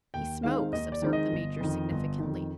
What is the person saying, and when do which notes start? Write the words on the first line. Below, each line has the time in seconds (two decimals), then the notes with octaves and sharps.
"He smokes," observed the Major, significantly.
0.14 D#2 G5
0.43 D#3 G#3 C4 D#4 F5
0.72 D#2 D#5
0.92 D5
1.02 D#3 G#3 C4 D#4
1.13 D#5
1.32 G1
1.61 F2 D#3
1.91 G1
2.20 F2 D#3